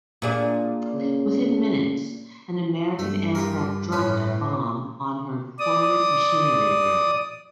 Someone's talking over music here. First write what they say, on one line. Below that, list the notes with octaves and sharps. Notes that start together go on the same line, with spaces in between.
Within minutes, an American aircraft dropped a bomb on her forward machinery room.
A#2 D4 G#4
C#3
G2 G3 A3
F4 G4 A#4
A2 E3 C#4 B5
D5 D#6